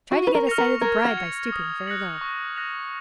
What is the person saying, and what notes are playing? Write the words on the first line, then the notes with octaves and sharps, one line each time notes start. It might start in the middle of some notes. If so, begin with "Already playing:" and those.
"Try to get a sight of the bride by stooping very low."
F#4 C#6
B4
A#4
F6 A#6 C#7 F7
A#4
A#4 G#6
F#4
C#7 F7
D#6
F#6 A#6 C#7 F#7
C#6
F#6 A#6 F7